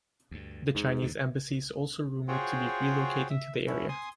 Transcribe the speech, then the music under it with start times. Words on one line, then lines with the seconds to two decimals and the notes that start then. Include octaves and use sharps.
The Chinese Embassy is also rumoured to be relocating to the area.
0.31 D2 G2
0.75 E2 G#2
1.02 D#2 A2 D3
2.28 F4 F#4 G#4 C5 C#5 G5
3.30 E5
3.67 D3 C#4 E4
3.89 G#5 C6 D#6